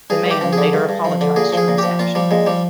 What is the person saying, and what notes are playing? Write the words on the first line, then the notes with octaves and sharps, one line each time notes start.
The man later apologised for his actions.
G2 G#4
G2 G4
F3
D3 G#4
G2
G2
F3
D3
A#2 G#4
F3 G#4
A#2
F3 G4
A#2 F4
F3 G3
A#2 G#3
F3 G3